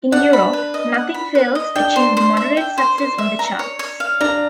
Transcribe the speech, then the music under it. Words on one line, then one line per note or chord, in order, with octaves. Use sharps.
In Europe, "Nothing Fails" achieved moderate success on the charts.
D4 F#5
B5
B4
D#5
F#5
B5
B4
D#5
D4 G5
C5
C5
E5
G5
C5
C5
E5
A#5
C#5
C#5
F5
D4 A#5